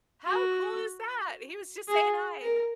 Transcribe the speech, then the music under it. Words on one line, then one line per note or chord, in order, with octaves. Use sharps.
How cool is that? He was just saying "Hi!" and
F#4
G#4
A#4